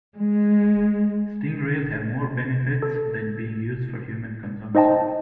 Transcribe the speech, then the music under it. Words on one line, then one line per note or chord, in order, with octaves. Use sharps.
Stingrays have more benefits than being used for human consumption.
G#3
A4
D#4 C5 D#5 G5 A5